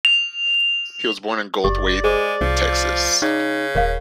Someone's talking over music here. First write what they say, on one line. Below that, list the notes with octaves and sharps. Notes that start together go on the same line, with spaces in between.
He was born in Goldthwaite, Texas.
F7
F#1 G4 D5
G#3 G#4 C5
C2 F3
C#3 D#4
D#1 A#4 C#5 F5